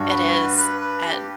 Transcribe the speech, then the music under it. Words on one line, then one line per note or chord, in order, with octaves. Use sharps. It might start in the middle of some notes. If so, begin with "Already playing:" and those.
it is, and
Already playing: G2 F#4
B4
B4
B4
B4
G4